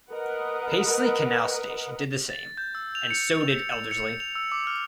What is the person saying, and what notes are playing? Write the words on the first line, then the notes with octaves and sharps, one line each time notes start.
Paisley Canal station did the same; and so did Elderslie.
A#4 B4 D#5 F#5
A6
G6
E6
F7
C#7
F7
C#7
C#7
F7
E6
D6
F6